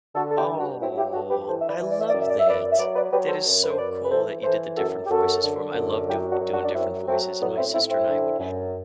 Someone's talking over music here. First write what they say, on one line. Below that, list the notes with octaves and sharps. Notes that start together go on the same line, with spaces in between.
Oh, I love that. That is so cool that you did the different voices for him. I love do doing different voices, and my sister and I would
D3 F#4 A4
A4
E4 G4
G2
D4 F#4
F#3 C4 E4
E4 G4
G2 F#4 A4
G4 B4
E3 A4 C5
E5
B4 D5
E3
D5
E5
F#2 D5
E5
D5
E5
F#2 B4 D5
E5
F#3 B4 D5
B4 D5
F#3 G4 B4
A4 C5
F#2
B4
C5
F#2 B4 D5
B4
E3 A4 C5
E3 A4 C5
F#2 F#4 A4
G4
F#2 F#4 A4
D3
F#2
F#3 E4 G4
D4 F#4
F#2
D4 F#4
D4
F#3 C4 E4
F#3 A3 C4
A2 B3 D4
C4 E4
A2 C4 E4
C4 E4
D3
F#2